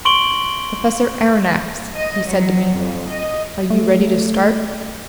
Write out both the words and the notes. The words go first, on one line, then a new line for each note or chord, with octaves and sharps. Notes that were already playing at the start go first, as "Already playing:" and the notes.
"Professor Aronnax," he said to me, "are you ready to start?"
C6 C#6 D7 F#7 G7
D#5
F#3
F2
D#5
A3